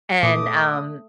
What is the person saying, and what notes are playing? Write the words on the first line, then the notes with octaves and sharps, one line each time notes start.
And, um,
A#2 A3 D6 D#6